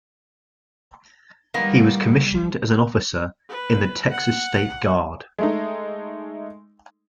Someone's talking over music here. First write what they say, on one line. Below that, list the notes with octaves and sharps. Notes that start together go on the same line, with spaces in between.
He was commissioned as an officer in the Texas State Guard.
D#3 G3 A#3 B3
B4
F#5
G#3 A3 D#4